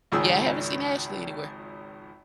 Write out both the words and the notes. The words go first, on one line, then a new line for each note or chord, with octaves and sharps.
Yeah, I haven't seen Ashley anywhere.
G#1 C#2 D#3 F3 G#4 E6